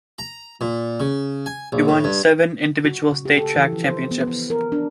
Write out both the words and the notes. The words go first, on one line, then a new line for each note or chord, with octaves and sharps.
He won seven individual state track championships.
A#5
A#2
C#3
G#5
A#1
A2
G2
F#4
C#3
G4
A4
E3
F3
C5
B3
B3
A#4
D4